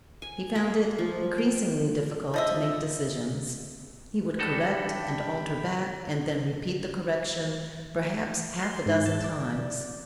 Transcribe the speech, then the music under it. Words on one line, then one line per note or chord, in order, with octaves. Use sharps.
He found it increasingly difficult to make decisions; he would correct and alter back and then repeat the correction, perhaps half a dozen times.
G#5
A#3
F3
G5
F3 D#5 E5
G3 D4 D#4 F#4 A4 G5 B5
C6
G#2
A5
D5